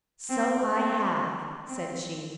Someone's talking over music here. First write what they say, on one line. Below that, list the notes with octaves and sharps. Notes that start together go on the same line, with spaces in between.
"So I have," said she.
C4
C4
C4